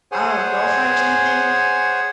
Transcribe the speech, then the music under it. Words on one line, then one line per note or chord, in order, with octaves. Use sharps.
I don't know, girlfriend or something?
G#4 C5 C#5 F#5 G#5